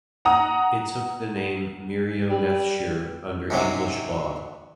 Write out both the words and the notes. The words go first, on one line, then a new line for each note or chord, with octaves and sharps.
It took the name Merionethshire under English Law.
F#5 A#5 D#6
G3
G#2 C3 F#3